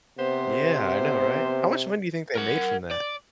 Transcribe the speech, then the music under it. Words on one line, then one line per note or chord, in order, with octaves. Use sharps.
Yeah I know, right? How much money do you think they made from that?
C3 B3 C5
A#4 F#5
D5